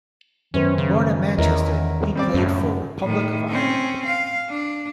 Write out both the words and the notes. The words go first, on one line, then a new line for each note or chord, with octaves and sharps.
Born in Manchester, he played for Republic of Ireland.
F#2 D#3 B3 C#4 C5
C#3
E2 C#4 E4 A#4 D#5
G3 C4 D5
F#2 A2 C#3
A2 D#3
C4 C#4
F5
D4